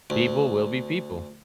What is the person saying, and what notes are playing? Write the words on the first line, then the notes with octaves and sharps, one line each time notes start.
People will be people."
D2